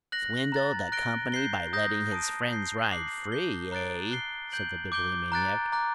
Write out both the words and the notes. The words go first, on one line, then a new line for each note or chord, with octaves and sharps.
"Swindled the Company by letting his friends ride free, eh?" said the Bibliomaniac.
F#6 A#6 F#7
A#5 F#6 A6
F#6 A#6 D7 G7
G6 C7 G7
A#5 D#6 G6 A#6
A5 D#6 G6 D7
G6 C7 G7
D6 F#6 C7 F#7
G6 C7 G7
A#5 F#6 A6 D7
F#6 C7 G7
G6 D7 F#7
D6 G6 D7 G7
A#5 F#6 A6 D7
A#5 D6 F#6